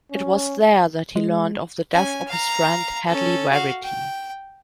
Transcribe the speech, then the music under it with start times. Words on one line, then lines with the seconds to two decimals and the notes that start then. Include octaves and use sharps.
It was there that he learned of the death of his friend, Hedley Verity.
0.12 C#4
1.16 G#3
1.93 C#4 G#5
2.28 F5 A#5
3.06 C#4 A4
3.50 F#4 F5
3.83 G5